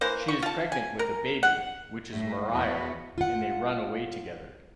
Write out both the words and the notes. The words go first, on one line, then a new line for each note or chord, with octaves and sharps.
She's pregnant with a baby, which is Mariah, and they run away together.
E3 A#3 C5
C#6
F4 A5
G#5
A#4
F#5
A2
E2 B3 F#4 B4
F4 F#5